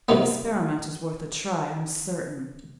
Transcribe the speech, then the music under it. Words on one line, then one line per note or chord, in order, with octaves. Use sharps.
The experiment is worth a try I'm certain.
C3 D#3 A#3 B3